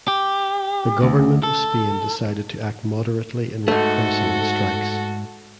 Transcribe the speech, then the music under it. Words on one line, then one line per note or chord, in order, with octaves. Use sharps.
The Government of Spain decided to act moderately in repressing the strikes.
G4
D2
A4
G#2 A3 F#4 A4